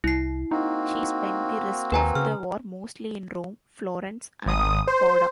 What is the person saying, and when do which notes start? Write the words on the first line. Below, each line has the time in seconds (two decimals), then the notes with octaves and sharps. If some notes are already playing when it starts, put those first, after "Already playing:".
She spent the rest of the war mostly in Rome, Florence, and Padua.
0.04 C2 E4 C7
0.51 A#3 C4 D#4 F#4
1.92 D#2 B4 G#5 A#5
2.15 C#3 F6
4.46 G#1 D#6
4.87 C5